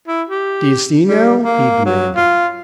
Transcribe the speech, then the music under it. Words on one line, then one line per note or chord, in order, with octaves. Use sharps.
"D'ye see, now!" he demanded.
E4
G4
G3
A#3
F#3
F4